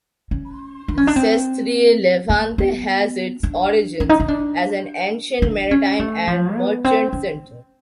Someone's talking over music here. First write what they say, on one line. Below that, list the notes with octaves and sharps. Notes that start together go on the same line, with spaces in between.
Sestri Levante has its origins as an ancient maritime and merchant center.
C#4
D4
C#4
D4
C4
A#3
B3
D4
C#4
D#4
D#4
D4
D4
C#4
A3
F3
B3
C4
C#4